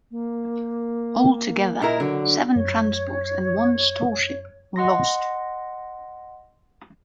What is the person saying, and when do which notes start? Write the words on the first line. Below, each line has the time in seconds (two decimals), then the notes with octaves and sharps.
Altogether, seven transports and one storeship were lost.
0.11 A#3
1.82 A#2 E4 A#4 D#5
2.00 D3 F#3
2.56 F#2 C#5
4.76 D#5 F#5 C6 A#6